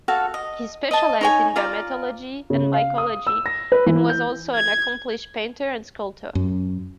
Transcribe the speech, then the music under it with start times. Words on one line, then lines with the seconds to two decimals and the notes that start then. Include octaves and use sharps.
He specialized in dermatology and mycology, and was also an accomplished painter and sculptor.
0.08 F#4 A4 F5
0.34 D#5
0.91 D#5 A5
1.21 D#4 C#5 G#5
1.56 F4 D5 A#5
2.50 C#3
2.74 F5
2.98 D#6
3.27 E6
3.46 A#6
3.72 B4
3.86 E3
4.09 G6
4.55 G#6
6.35 F#2